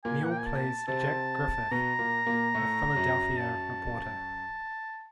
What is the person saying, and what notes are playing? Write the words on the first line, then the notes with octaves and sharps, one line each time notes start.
Neal plays Jack Griffith, a Philadelphia reporter.
A#2 A#3 G#5
F#5
G5
G#5
A5
C3 C4 A5
B2 B3 A#5
A#2 A#3
A#2 A#3
A2 A3
F#2 F#3
A5